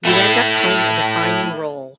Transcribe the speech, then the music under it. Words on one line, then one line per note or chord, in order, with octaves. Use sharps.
You end up playing a defining role.
A3 E4